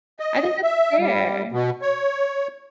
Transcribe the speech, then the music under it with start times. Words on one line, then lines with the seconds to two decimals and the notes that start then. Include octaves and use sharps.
I think that's fair.
0.19 D#5
0.63 E5
0.99 G3
1.51 B2
1.82 C#5